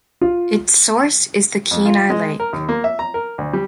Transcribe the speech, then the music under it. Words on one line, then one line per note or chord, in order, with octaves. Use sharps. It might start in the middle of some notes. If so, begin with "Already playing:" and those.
Its source is the Kenai Lake.
F4
F2
F4
G#3
A#4
D#2
A#3
E5
A#5
A#4
D2
G3